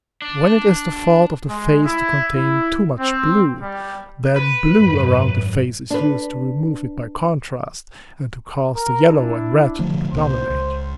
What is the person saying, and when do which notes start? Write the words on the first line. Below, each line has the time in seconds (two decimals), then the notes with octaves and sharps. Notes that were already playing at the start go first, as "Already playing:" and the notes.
When it is the fault of a face to contain too much blue, then blue around the face is used to remove it by contrast, and to cause the yellow and red to predominate.
0.22 D4
1.48 G#3
1.85 E4
2.35 E4
2.99 C4
3.60 G3
4.36 B4
4.77 G#1 F#2
5.90 D4 B4
8.76 A#4
9.08 D4 E4
9.79 D3 F3 A3
10.13 C2 A#2 C5
10.50 C#2